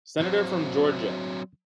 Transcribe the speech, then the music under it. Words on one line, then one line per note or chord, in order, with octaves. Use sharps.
Senator from Georgia.
F#3 C4